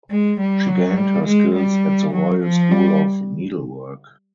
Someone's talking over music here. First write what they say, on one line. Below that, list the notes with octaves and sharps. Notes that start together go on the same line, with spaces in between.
She gained her skills at the Royal School of Needlework.
G#3
G3
F#3
G3
G#3
G3
F#3
F3
G3